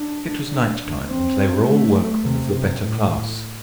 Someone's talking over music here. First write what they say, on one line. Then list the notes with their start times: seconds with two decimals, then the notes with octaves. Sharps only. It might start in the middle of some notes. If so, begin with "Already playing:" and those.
It was night-time, and they were all workmen of the better class.
Already playing: D4
0.50 D4
1.08 C4
1.66 A3
2.23 C3
2.52 C3
2.80 A2